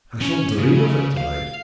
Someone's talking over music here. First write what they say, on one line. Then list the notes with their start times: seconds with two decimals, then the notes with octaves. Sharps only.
I shall dream of it to-night.
0.22 C#4
0.58 C#3
1.17 F5